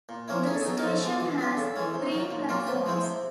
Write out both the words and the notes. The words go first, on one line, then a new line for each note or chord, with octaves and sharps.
The station has three platforms.
A#2
F3 A#3 C#4 E4
D#3 G#4
A4
G#4
F#3 B3 D#4
A#4
F3 A4
G#3 B3 D4
E3
G3 B3 D4 F4
C#3 A4
E3 G#3 C#4
C3
D#3 F#3
A#2
F#3 A#3 D4 F4
C3 B4
F3 G#3 C4 E4
C3